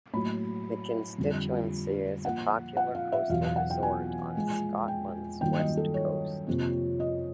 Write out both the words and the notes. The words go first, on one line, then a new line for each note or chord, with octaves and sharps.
The constituency is a popular coastal resort on Scotland's west coast.
A2 F#3 A#3 B5
F2 D3 G3
A#2 F3 A#3 F#5
F#5
F5
E5
E2 B2 F#3 F5
F5
F#5
G5
G#5
A#2 F3 G#3
G5
G2 D#3 F#3 A#3 G5
D#5
A4
C#5
F2 C3 F3 A#3
D#5